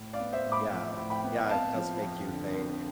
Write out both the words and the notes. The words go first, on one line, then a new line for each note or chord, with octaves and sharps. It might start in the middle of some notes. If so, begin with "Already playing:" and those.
Yeah. Yeah, it does make you think,
Already playing: A2
D5 F5
B3
C5 E5
A2
B5 D6
F3
A2
G5 B5
B3
C4 F5 A5
F3
F2
D3
C4